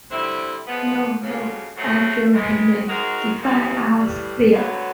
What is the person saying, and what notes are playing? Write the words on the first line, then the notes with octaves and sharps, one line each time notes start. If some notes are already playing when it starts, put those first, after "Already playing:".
No, no; I feel he may defy us there.
D3 G3 C4 E4
F3 G#3 B3
F2 C#3 F#3 A#3 C#4
F2 C#3 F#3 A3
C3 E3 G#3
G#3 C4 D#4 F#4 A#4
E3 G3 A#3 D#4 G4
A2 E3 G3
D2 D3 F#3 B3